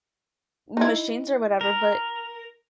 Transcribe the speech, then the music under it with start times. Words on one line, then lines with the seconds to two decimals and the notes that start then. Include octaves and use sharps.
m machines or whatever, but,
0.77 D#4 E4
1.61 A#4